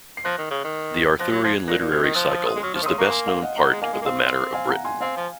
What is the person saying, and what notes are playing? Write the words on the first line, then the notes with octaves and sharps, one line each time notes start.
The Arthurian literary cycle is the best known part of the Matter of Britain.
C7
F3 F#6 A#6
D#3
C#3
D#3
F3 F#6 A#6
F#3
F3 G#6 C7
A#2 F#6 A#6
A#2
C3 F6 G#6
D#3
F3 D#6 F#6
C6 D#6
C6 D#6
G#3
F#3 C#6 F6
F3 C#6 F6
D#3
C#3 C6 D#6
A#3 A#5 C#6
G#5 C6
F5
D#5 F#5
A#3 F#5 A#5
G#3
A#3 F5 G#5
G#3
A#3
C4 F5
F5 G#5
F#5 A#5
G#5 C6
C4 F5 G#5
F3